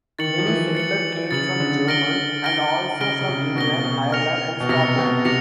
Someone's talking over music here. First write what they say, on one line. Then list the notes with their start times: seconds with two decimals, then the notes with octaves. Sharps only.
Many settler came from German, and also from England, Ireland and Scotland.
0.19 D#3 A6 C#7 F#7
0.38 F3
0.47 E3
0.75 A6 C#7 F#7
1.31 C#3 A6 C#7 F#7
1.60 D3
1.88 F6 A#6 D7 G7
2.44 F6 A#6 D7 G7
3.00 C#3 F6 A#6 D7 G7
3.21 C#3
3.29 C3
3.56 B2 F6 A#6 D7 G7
3.84 B2
4.12 F6 A#6 C#7 F7
4.60 B2
4.69 C3 F6 A#6 C#7 F7
4.98 B2
5.25 C3 A#6 C#7 F7